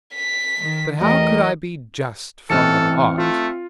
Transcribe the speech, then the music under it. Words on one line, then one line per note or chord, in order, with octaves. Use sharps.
But how could I be just from the heart!
B6
D#3
E2 E3 A3 G4 A#4 D#5
A1 E3 C4 A4 D#5 F6 C#7
A3 F4